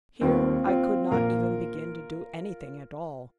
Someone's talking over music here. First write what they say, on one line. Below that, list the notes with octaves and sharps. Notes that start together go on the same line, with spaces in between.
Here I could not even begin to do anything at all.
D#2 D#3 G3 A#3 C4 F4
C4 F4
A#1 A#2 A#3 F4 A#4